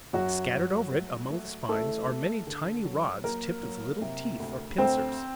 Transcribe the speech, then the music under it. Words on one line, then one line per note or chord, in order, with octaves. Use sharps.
Scattered over it, among the spines, are many tiny rods tipped with little teeth or pincers.
F#2 F#3 F#4
G1
A3
A3
A1 A3 A4
A3
D3
F#3
F#3 A#3 A#4
F#3
C3
D2
D2 C4 C5